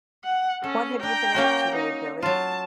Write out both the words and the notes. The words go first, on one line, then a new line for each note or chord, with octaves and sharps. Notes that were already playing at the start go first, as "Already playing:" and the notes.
What have you been at today, Billy?
F#5
C#4 A4
D4 G5 A#5
A#3 C#4 F#4
D#4
F#3 F4 A5